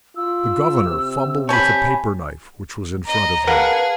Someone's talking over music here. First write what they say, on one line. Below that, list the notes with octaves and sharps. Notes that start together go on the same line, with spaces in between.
The governor fumbled with a paper-knife which was in front of him.
F4 E6
C3
C#5 G#5 A5 B5 G6
D#5 A#5
G#4 A#4 B4 F5 F#5 A5